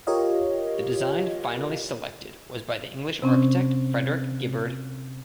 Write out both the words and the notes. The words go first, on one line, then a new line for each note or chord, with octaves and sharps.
The design finally selected was by the English architect Frederick Gibberd.
F4 G4 A#4 C#5 D#5 F5
C3 C4 C#4